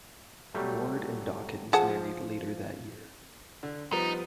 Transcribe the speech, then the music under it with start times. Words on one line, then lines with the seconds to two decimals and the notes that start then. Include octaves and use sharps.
Ward and Dawkins married later that year.
0.55 F#3 G3 A3
1.73 F3 G#4 F#5 A5
3.63 D3
3.92 F3 G3 B3 D#4